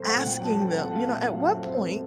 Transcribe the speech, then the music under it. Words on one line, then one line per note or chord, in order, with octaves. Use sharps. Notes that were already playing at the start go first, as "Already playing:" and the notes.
asking them, you know, "At what point
Already playing: A#2 F#3 A3 C4 C5
F#5
A#2
G5
F#3
A5
C4 G5
F#5
A3
F5
A#2
E5
F#3 F5
E5
C4
C5
A3
A4